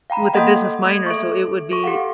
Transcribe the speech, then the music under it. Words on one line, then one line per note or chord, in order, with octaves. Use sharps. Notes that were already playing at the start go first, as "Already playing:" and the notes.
with a business minor, so it would be
F5 G5 A#5 B5
A#3 A4 D#5 F#5
A3 G#6
A4 E5 C#6
A4 C#6
G4 A4 F5 F#5